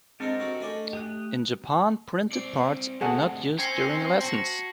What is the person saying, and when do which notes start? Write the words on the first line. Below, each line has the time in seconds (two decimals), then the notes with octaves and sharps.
In Japan, printed parts are not used during lessons.
0.20 G#2 C4 D4 G4 A4 A#4 D#5
0.40 F#3 C4 C#6
0.61 A3 C#4 D4 D5
0.93 G4 D#6 F#6
2.32 C4 D5 D7
3.01 D2 C3 G#4 A4 F#5
3.59 C#4 C5 G5 G#6 A#6 C7
4.22 F#4 A5 A#6